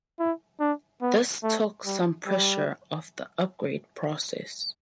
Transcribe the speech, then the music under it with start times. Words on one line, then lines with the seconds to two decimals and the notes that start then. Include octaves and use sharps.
This took some pressure off the upgrade process.
0.19 E4
0.60 D4
1.02 B3
1.43 A3
1.85 G3
2.26 G3